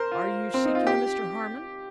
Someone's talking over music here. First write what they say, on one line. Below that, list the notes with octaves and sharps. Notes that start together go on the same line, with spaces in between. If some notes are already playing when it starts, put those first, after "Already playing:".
'Are you seeking a Mr Harmon?'
Already playing: A#4 C5
F4
C4
D#4
F4
G4